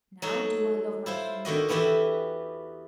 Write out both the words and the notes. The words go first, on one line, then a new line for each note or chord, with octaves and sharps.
Now do I love my finger?
F#3 D#4 F#4 A4
E4 F4 C5
D3 D#3 F#4 D#5
E2 E3 B3 F#4 G4 E5